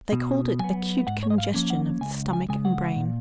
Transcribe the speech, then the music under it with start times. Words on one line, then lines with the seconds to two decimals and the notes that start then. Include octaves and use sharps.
They called it acute congestion of the stomach and brain.
0.12 B2
0.59 F#3 B3 G#5
1.07 G#2 F#5
1.23 C#5
1.30 D#5
1.38 F5
1.54 F3 A#3 C#4
1.70 F#5
2.01 C#2 G#5
2.33 G#5
2.49 C#3 G#3 G#5
2.65 F#5
2.96 A#2